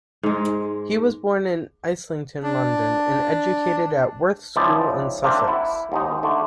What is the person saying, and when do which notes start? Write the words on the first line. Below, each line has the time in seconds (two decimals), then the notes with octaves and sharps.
He was born in Islington, London, and educated at Worth School in Sussex.
0.23 G#2 G#3
2.43 D4
4.56 C#2 F3 D#4 E4 D5
5.24 A#3 C4 D4 E5
5.47 E4 F#5
5.92 D#2 G#2 D#4
6.23 D3 A3